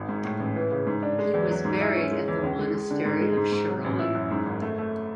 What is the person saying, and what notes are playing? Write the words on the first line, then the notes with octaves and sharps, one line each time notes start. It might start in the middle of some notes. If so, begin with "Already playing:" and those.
He was buried at the Monastery of Shahran.
Already playing: G#1
G#2
A2
A1
E3
C#3
G#2
D4
G#3
E2
F#3
G#2
E4
C#4
G#3
E2
C#2
G#3
G#3
D3
G#2
G#3
G#2
G#2
F#3
A1
E4
F#2
G#2
G#1
A3
A3